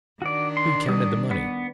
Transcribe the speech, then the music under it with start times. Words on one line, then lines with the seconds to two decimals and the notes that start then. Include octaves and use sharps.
Who counted the money?
0.22 D#3 D4 F#4 D5
0.57 C6
0.89 G3 D#6
1.31 B3